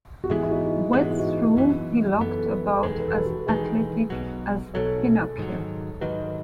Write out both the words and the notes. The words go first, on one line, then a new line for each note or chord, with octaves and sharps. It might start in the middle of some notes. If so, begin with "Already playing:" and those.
Wet through he looked about as athletic as Pinocchio.
F#4
G#2 E3 G#3 B3 E4 G#4
E4
D#4 F#4
D#4
G#2 E3 G#3 B3 G#4
F#4
E4
D#4 F#4
F#2 E3 B3
F#2 E3 B3 A4
B4
A4
B4
A4
B4
A4
E1 E2 D#3 G#3 B4
A4
B4
A4
B4
F#4 A4
E1 E2 D#3 G#3 G#4 B4
B1 B2 F#3
B1 B2 F#3 A4 C#5
G#2 D#3 F#3
G#2 D#3 F#3 B4 D#5